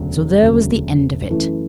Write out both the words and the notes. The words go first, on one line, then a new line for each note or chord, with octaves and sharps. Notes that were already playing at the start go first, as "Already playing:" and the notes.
So there was the end of it.'
Already playing: E1 D2 C#3 F#3 A3
E1 D2 C#3 F#3 A3
F#2 E3 A3 E4 B4